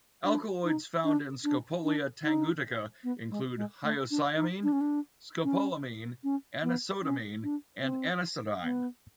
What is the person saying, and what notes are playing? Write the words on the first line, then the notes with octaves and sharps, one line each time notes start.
Alkaloids found in "Scopolia tangutica" include hyoscyamine, scopolamine, anisodamine, and anisodine.
D4
D#4
D4
D4
D4
D#4
B3
G#3
G#3
A3
D4
D#4
D4
C#4
D4
C#4
C#4
B3
C#4
D4
C4
B3